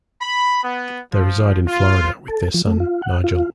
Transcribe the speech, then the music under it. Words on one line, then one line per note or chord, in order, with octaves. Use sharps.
They reside in Florida with their son, Nigel.
B5
B3
F3
F4
A4
F3
A3
F4
F#5
F4